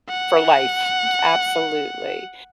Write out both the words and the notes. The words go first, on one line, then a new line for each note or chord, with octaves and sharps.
for life. Absolutely.
F#5